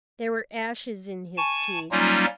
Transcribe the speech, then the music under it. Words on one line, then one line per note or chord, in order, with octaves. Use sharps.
There were ashes in his teeth.
G#5 A5 C#6
F#3 G3 A#3 C#4 D#4 F4